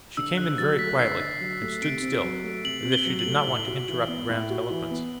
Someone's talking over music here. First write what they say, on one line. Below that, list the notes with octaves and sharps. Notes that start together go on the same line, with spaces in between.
She came in very quietly, and stood still, as if she did not want to interrupt Graham's eloquence....
D3 E6
D3 F#6
F#3 A6
A3 B6
D3 C7
D3
F#3
A3
C3 D7
C4
F#3
A3
C3 F#7
C4
G7
F#3
F#7
A3
A2
F#4
E3
B3
A2
F#4
E3
B3